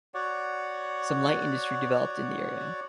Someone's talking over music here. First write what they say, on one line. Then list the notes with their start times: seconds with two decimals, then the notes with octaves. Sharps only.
Some light industry developed in the area.
0.14 F#4 C#5 D5 F#5